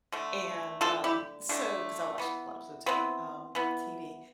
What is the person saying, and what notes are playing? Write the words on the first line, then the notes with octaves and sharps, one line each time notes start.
And, um, so 'cause I watch a lot of Pluto, um, TV.
D3 A3
D3 A3 F4 A4
E4 G4
D3 A3 D4
E3 B3
E3 B3 C4
E3 B3